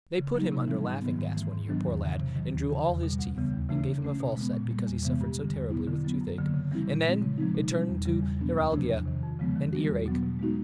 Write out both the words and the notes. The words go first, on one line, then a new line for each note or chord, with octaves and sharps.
They put him under laughing-gas one year, poor lad, and drew all his teeth, and gave him a false set, because he suffered so terribly with toothache; and then it turned to neuralgia and ear-ache.
C#3
F#3 A#3 D#4
C3
E3 G3 C4
G#2
D#3 F#3 B3
G#2
E3 A3
G#2
D#3 F#3 B3 D4
E2
C#3 E3
C3
D#3 F#3
D#2
C#3 E3
E2
B2 G3
D2
C#3 E3 G3 B3
D#2
C#3 E3 A3 D4
C#3
E3 A3 C#4
B2
G#3
B3
A#2
G3 A#3
E2
C3 E3 G#3 B3
G2
D3 G3
E2
B2 F#3 B3 E4
D3
F#3 B3
F#2
D3 F#3 A#3
C#3
E3 G3 C4 E4
A#2
F3 G#3 C4
C#3
F3 G#3 C4 D#4
B2
G3 C4
E2
C#3 E3 G3
E2
B2 F#3 B3 D4
D2
C3 F3 A3 D4
E2
C3 D#3
F2
C#3 F3 G#3 B3
D#3
G3 A#3 D4 F#4
E2
B2 F#3 B3
B2
G#3 B3 D#4 F#4